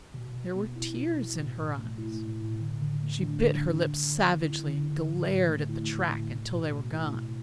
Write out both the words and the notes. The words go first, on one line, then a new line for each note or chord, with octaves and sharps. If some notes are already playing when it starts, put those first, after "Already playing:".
There were tears in her eyes--she bit her lips savagely and glared at the track until they were gone.
B2
B2
B3
E4
B2
B2
A2
A2
A3
E4
A2
A2
D3
D3
A3
D4
D3
D3
D3
D3
B3
E4
D3
D3
A2
A2
A3
E4
A2
A2
B2
B2
A3
E4
B2